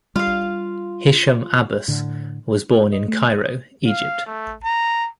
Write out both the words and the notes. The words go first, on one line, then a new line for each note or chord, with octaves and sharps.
Hisham Abbas was born in Cairo, Egypt.
G3 F4 F5
A2 D3
D#5
A3
D#6
F5
A3
A#5